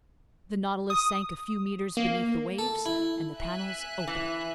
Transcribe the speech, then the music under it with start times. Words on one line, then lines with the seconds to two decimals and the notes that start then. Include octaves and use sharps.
The Nautilus sank a few meters beneath the waves, and the panels opened.
0.90 D#6
1.97 A#3
2.59 A4
2.86 E4
3.39 E5 G#5 F#6
4.07 E3